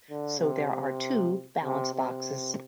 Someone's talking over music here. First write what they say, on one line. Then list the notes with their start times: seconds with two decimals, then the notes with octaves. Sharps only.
So there are two balance boxes.
0.10 D3
0.41 C3
1.63 C3
1.94 C3